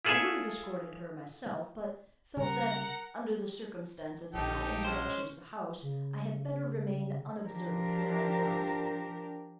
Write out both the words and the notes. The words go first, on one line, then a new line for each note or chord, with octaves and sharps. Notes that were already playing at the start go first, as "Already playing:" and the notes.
I would have escorted her myself, but felt that, under the circumstances of my introduction to the house, I had better remain unobserved where I was.
E4 F4 G#4 A4 D5 E5
C#3 G3 A#4 F#5
A#1 D#4 G4 A4 G5
G#3 C#4 C5
C#3
F3 D4 G4 A#4